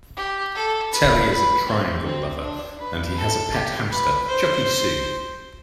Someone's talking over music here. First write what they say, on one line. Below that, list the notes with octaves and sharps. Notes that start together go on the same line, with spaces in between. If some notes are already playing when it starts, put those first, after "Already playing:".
Telly is a triangle lover, and he has a pet hamster, Chuckie Sue.
G4
A4
B4
B4
C4
C4
D4
B4
A4
G4
B4
C5